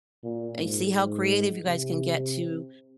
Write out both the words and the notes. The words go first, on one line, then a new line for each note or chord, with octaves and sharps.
and see how creative you guys can get to,
A#2
G#2
G#2
C3